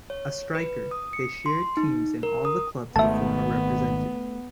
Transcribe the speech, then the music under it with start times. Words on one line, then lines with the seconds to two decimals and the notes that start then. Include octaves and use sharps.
A striker, they shared teams in all the clubs the former represented.
0.10 C#5
0.55 B4
0.91 D#6
1.13 C#7
1.46 C6
1.77 D#4
2.23 A#4
2.45 D#6
2.96 G#1 D#3 A3 B3 E5 A5